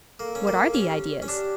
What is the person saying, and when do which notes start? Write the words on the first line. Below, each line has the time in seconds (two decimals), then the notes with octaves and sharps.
What are the ideas?'
0.20 A#3 A4
0.35 C#4
0.47 A#3
0.62 A4
0.74 C#4 G4
1.22 C#4
1.28 D4 G4